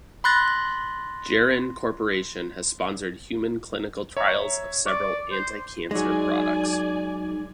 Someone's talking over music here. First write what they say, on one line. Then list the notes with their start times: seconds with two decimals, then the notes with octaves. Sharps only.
Geron Corporation has sponsored human clinical trials of several anti-cancer products.
0.24 B5 C6 F#6 A6 A#6
4.17 C#5 E5 A#5
4.86 D5 C#6
5.32 C5
5.91 F#3 G#3 D#4 G#4 D5 G#5